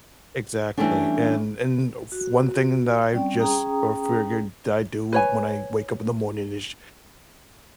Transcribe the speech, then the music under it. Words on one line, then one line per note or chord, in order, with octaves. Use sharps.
Exactly, and and f one thing that I just o figured I do when I wake up in the morning is
E3 F#3 G3 A3 C#4 D4
F#4
G3 C4 C#4 D5 G5
C#4 G#4 G5 A#5 D#6
B4 C#5 G#5